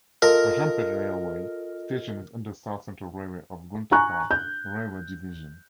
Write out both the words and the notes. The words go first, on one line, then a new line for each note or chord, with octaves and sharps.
Rajampet railway station is under South Central Railway of Guntakal railway division.
F4 A4 A#4 D#5
G#5 A#5 C#6 F#6
G6